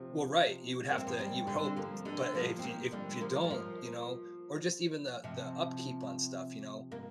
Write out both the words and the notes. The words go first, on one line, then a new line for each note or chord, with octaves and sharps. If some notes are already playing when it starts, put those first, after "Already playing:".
Well, right, you would have to you would hope t but if you if you don't, you know, or just even the the upkeep on stuff, you know,
Already playing: C3 F3
A#3
C4
F3 A#3
G3 C4
D3 G3
C4
F3 A#3
D3 G3
F3 A#3
C4
F3 A#3
D3 G3
F3 A#3
G3
F3 A#3
C3 F3
A#3